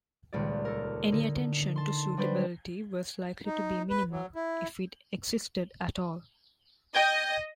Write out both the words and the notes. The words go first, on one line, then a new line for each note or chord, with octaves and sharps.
Any attention to suitability was likely to be minimal, if it existed at all.
D#1 C#2 D5
A4 A#4
D3 D#4
A5 C6
F#3 G3 D4 B4 C5 D5
D#4
B4
F#3
E4
D#5 G5 G6 G#6